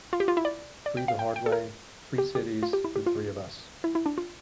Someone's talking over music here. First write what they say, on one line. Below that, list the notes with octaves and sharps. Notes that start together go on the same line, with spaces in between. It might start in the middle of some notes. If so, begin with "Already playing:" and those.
Three the hard way, three cities, the three of us.
F4
G4
F4
E4
D5
D5
G5
F5
G5
G5
A4
A#4
G4
G4
F4
G4
E4
G4
F4
E4
E4
D4
F4